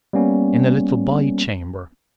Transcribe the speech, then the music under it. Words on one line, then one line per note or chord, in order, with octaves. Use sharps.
In a little by-chamber....
G3 A#3 B3 C#4